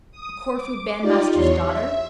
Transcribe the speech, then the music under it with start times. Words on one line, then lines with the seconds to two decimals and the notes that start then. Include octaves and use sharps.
A Corfu bandmaster's daughter!
0.11 D#6
0.53 D6
1.01 D#4 F4 G4 D5
1.31 E2 C#5 C6
1.63 E5